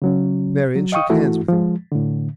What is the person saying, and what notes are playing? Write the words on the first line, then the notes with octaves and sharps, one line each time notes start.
Marian shook hands with him.
C#3 F#3 C#4
F#3
D#5 F5 G5 C#6 D#6
E3 A3 E4 F#4
F3 G#3
A2 D3